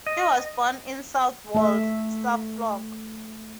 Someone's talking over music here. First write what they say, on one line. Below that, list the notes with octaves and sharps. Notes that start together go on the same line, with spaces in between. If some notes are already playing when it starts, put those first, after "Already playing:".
He was born in Southwold, Suffolk.
D#5
A3 E5